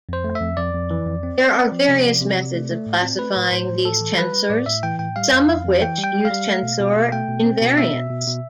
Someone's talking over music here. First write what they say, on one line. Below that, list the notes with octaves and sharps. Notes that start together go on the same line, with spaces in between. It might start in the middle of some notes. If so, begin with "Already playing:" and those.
There are various methods of classifying these tensors, some of which use tensor invariants.
F2 C5
A3
E5
F2
F2 D5
F2
E3
F2
C4
C4
C4
F3
C3
F3
C3
C3
A3
A3
A2
C4
A3 B4
A2
A2 C5
A2
A2 A4
E3
G3 B4
G3
A2 D5
A2 E5
E3 G5
A2 G5
G3 F5
F2
F2
F2
E3 G5
G3
G5
G3
F5
G3
A3
B2
B2
B2
A3 G5
B2
C4
B2
B3 E5
B2
B2
B2